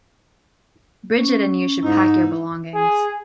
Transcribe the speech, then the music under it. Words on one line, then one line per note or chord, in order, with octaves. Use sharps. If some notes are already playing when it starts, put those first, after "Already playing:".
Bridget and you should pack your belongings.
C#4
G#2 D#4 E4
G#4